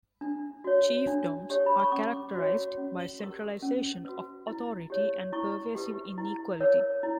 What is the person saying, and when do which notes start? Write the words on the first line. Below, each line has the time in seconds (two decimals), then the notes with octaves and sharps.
Chiefdoms are characterized by centralization of authority and pervasive inequality.
0.21 D4
0.64 F#4 C#5
1.07 D4
1.50 G4 C#5
1.66 B5
1.79 C#6
1.92 C#4 D6
2.34 F#4 C#5
2.78 C#4
3.19 G4 A#4
3.62 C#4
4.05 F#4 B4
4.47 E4
4.90 G4 C#5
5.32 E4 C#6
5.75 G4 B4
6.18 E4
6.60 A#4 C#5
7.03 E4